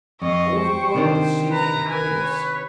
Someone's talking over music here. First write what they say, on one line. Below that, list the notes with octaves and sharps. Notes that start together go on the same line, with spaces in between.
All the world is seeking happiness.
F2 D#5 F5 C#6
C5 G5
C3 D#3 D4
B4 A#5
A#4 B4 G#5
C#5